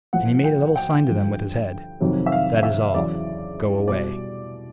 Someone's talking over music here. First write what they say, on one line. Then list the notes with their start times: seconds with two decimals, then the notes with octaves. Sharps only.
And he made a little sign to them with his head, "That is all; go away."
0.13 A2 F3 F#5
0.44 G5
0.76 G5
1.06 G2 D3 F3
2.00 F2 C3 D#3 F#3
2.26 E5
2.32 F5
2.63 E5
2.94 E2 C#3 F#3 D5
3.88 B2 G3 D5